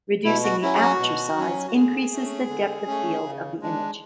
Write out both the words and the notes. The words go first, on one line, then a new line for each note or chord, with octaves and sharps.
Reducing the aperture size increases the depth of field of the image.
B2 E4
F#4
F#3 C#4 E4
G#4
F#4
B2
F#3 C#4
F#4
D3 G#4
A3 C#4
D3
A3 C#4
C#3
G#3 D4